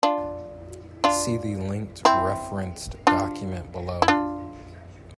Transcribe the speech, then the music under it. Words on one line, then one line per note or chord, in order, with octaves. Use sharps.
See the linked referenced document below.
D4 F4
D4 F4
C4 E4
D4 F4
E4
D4 F4